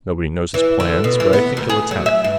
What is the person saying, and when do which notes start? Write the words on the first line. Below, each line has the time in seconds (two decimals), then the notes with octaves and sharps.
Nobody knows his plans, but I think he'll attack.
0.54 E3
0.80 D3
1.04 B2
1.20 E3
1.33 B3
1.57 D2
1.69 G#4
1.91 F#3
2.06 E5
2.24 G2